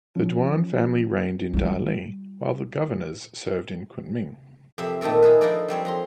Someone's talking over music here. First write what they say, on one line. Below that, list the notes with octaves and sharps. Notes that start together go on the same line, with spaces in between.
The Duan family reigned in Dali while the Governors served in Kunming.
F3 C#4
G3 F4
F2 C3 E5
A#2 D#3 A3 A4 A#4
D#4 G#4 A4 B4
F3 D4 D#4 A4 A#4 D5
F3 G3 C4 C#5
F2 A#5 C6